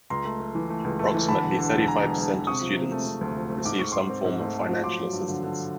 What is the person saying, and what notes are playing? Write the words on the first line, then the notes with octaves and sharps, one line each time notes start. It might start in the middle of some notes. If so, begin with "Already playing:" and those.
Approximately thirty-five percent of students receive some form of financial assistance.
C#2 A#5 C6
A3
A3
E3
A3
C#2
A3
E3
D3 A5 B5
E1
D3
E1
E1 G#5 A#5
E1
E1
E1
C3 C#6 D#6
F3
C3
A3
C3
D2
F3
A3
G#2 D6
G#2 C#6
G#2 C6 D6
C4
G#2
A3
A3
F3
F#3 C6 D6
F#3
G2
D3
D3